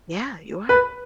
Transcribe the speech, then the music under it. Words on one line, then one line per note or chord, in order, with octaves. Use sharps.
Yeah, you are.
B4